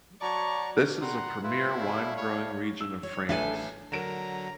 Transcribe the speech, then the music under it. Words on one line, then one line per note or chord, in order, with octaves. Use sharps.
This is a premier wine-growing region of France.
F#3 D5 A5 A#5 C#6
G3 F#5 A#5 C6
E4 F4 B4
G3 A3 F5
C#5
E6
C#5
A1 D4 A4 E5 G#5
D3 F#3 A#4 A#5 D7 E7